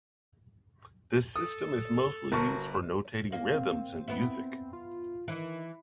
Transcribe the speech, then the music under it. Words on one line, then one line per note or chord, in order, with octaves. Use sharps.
This system is mostly used for notating rhythms in music.
A4 D#6
G1 F#4 A#4 A5 C#6
A#3
C4
B3 E4
F4
D#3 E3